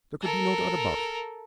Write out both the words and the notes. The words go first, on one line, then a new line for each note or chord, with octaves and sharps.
There could be no doubt about it.
A4 A#4